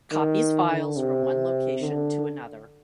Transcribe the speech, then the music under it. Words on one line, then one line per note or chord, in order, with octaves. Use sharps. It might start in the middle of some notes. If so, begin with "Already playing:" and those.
Copies files from one location to another.
D#3
D3
C3
C3
D3